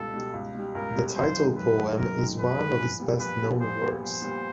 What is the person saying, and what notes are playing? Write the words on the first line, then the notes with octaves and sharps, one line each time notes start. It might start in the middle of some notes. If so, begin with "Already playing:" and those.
The title poem is one of his best known works.
Already playing: C#2 B2 G3 A4
B2 G3
C#2
B2 G3
C#2 A#4
B2 G3
F#2 C5
D#3 G#3
F#2 B4
D#3 G#3
F#2 A#4
D#3 G#3
F#2 B4
D#3 G#3
A#1
A#2 G3 B3
A#1 B4
A#2 G3 B3
A#1 C5
A#2 G3 B3
A#1 C5
A#2 G3 B3